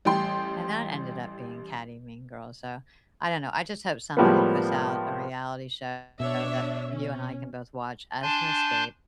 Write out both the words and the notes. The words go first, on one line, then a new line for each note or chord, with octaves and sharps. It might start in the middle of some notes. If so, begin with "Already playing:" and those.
and that ended up being catty, mean girls, so I don't know, I just hope somebody puts out a reality show that you and I can both watch as an escape
A1 G3 G5 C6
A2 F3 G3 G#3 A#3 B3
B2 D4 C#5 E5
C#4
D4 G#5 A5 C6 G6